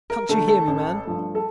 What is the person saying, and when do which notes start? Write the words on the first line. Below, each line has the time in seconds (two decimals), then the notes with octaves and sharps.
Can't you hear me, man?
0.10 A#4
0.29 D3 A3 A4
0.48 A4
0.67 A1
1.05 G2 F3 A3
1.35 A4